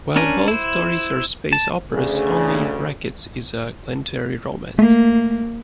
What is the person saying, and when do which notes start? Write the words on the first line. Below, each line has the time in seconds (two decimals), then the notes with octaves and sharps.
While both stories are space operas, only Brackett's is a planetary romance.
0.16 C#4 D4 A#4 G#5
0.48 E4 C5
1.53 A5
1.93 D2 C#3 G#4
4.79 A3 A#3